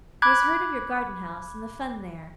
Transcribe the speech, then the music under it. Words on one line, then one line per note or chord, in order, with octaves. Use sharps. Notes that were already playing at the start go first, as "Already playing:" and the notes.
He has heard of your garden-house and the fun there.'
B5 D6 F#6 G#6